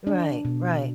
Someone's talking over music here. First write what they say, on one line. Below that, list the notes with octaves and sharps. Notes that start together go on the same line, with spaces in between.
Right, right.
D4
B2